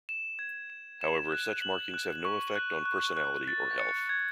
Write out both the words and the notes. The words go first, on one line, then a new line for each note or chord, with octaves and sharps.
However, such markings have no effect on personality or health.
E7
G#6
E7
E7
F#6
F#7
F#6
C#6
F#6
F#6
F#6
A6
C#7
G#6